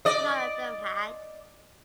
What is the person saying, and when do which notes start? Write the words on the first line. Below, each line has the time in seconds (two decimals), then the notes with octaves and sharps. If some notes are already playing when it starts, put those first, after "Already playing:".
None of them had.
0.05 D5 D#5